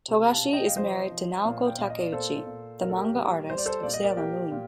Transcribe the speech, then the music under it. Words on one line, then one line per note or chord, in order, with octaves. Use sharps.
Togashi is married to Naoko Takeuchi, the manga artist of "Sailor Moon".
C3
F5 A5
C3
D#5 G5
F5
F3 C5 D#5
F3
A#2
G5
A#2 F5
D#5
D5
A#2 A4 C5
A#2
A#2 A#4
A4
G4 A#4
G3
G3 C5
D5
A4 C5
A#2 D5
D#5
A#4 D5
A#2 G4 A#4
A#2